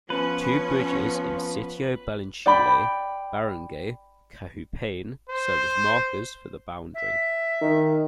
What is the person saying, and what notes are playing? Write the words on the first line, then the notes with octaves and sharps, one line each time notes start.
Two bridges in Sitio Balintulay, Barangay Kahupian serve as markers for the boundary.
F3 B3 C#4 B4
D5 G5 B5
C5
E5
D#3